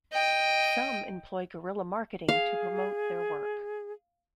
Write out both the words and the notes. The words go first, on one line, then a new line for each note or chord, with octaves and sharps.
Some employ guerrilla marketing to promote their work.
D#5 G5
G#4 F5